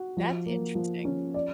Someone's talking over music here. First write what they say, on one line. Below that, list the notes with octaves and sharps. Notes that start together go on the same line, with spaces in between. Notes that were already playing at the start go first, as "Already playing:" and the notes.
That's interesting.
Already playing: F#4
F3
A#3
F3
C#4
D5